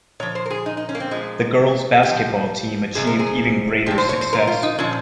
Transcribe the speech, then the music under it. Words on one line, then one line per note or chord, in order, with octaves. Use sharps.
The girls' basketball team achieved even greater success.
A#2 F3 C#5
C5
A#4
G#4
D#4
D#4
C#4
A#3
C4
A#2 F3 G#3
A#2 F3 G4
F2 C3 F3 G#4
A#4
G#4
A#2 F3 G4
C5
C#5
C5
A#4
F4
D#4
A#2 F3 C#4